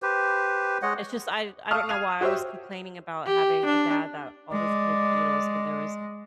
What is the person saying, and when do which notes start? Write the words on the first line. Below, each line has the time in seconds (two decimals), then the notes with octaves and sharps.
It's, just, I I don't know why I was complaining about having a dad that always played the Beatles when there was
0.02 G4 B4 C5
0.82 G#3 C#5 D#5 F#5
1.71 F5 A5 C#6 D#6 F6
1.89 G#6 C7 D#7 F7
2.21 F#4 G4 C5 C#5 E5
3.26 G4
3.65 D4
4.52 G#3 D5